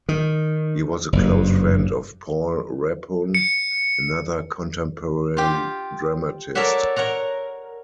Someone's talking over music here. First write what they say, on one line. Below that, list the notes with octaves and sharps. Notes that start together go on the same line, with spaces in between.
He was a close friend of Paul Rebhun, another contemporary dramatist.
D#3
F#1 G2
C#7
F4 G4
A4 A#4 C#5 D5 E5 F#5
A#4 C#5 F#5 A#5